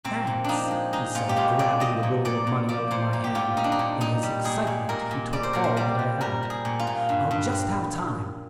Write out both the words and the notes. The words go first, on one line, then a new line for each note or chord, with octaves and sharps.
"Thanks," he said grabbing the roll of money out of my hand,--in his excitement he took all that I had.--"I'll just have time."
A#2 C4
A#2
F3 D4 D#4
G#3
G#3 D#4
A#2 F4
G4
G#3 F4
A#2 D5
F3 D#5
A#2
A#2 D5
A#2
F3 D5
A#2 C5
A#2
G4
A#2 F4
G3 D#4
D4
D#4
A#2
A#2 D#4
G3
A#2 G#4
A#2
A#2 A#4
A#2
G3 D5
C5
A#2 A#4
C5
G3 D5
G3
G3 A#4
G3
G#4
A#2
F4
A#2
G2
G2
G3